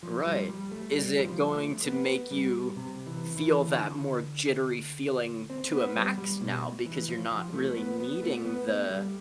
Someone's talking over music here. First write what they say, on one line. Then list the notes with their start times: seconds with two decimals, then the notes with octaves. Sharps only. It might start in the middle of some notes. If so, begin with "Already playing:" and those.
Right. Is it going to make you feel that more jittery feeling to a max now, because you're not really needing the
0.03 F3
0.26 G3
0.49 G3
0.72 A3
0.95 G3
1.17 E3
1.25 F3
1.55 A3
1.85 B3
2.31 G3
2.76 C3
3.07 E3
3.37 E3
3.68 D3
5.50 C4
5.72 B3
5.95 G3
6.18 G3
6.41 B2
6.86 E3
7.09 F3
7.31 F3
7.49 G3
7.54 A3
7.77 B3
8.00 B3
8.23 A3
8.45 B3
8.68 A3
8.91 G3